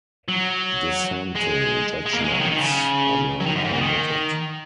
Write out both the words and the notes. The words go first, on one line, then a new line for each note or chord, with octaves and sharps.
Dissenting judgments are now permitted.
F#3
G#3
G#3
A#3
G#3
F#3
D#3
D#3
C#3
F#3
D#3
F#2
G#2
A#2
D#3